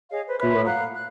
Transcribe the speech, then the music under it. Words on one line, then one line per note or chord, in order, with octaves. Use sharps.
grew up
G#4 C#5 D#5 F5
B4 C5
B4 C#5 E5 B5
F5 F#5 A#5 F#6
F#6